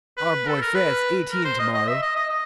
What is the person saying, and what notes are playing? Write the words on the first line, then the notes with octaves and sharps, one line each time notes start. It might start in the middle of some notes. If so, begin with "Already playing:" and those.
Our boy Fred is eighteen to-morrow.
B4
A4
A#4
B4
A#4
C5
D#5
D#5
E5
D#5
D#5
D#5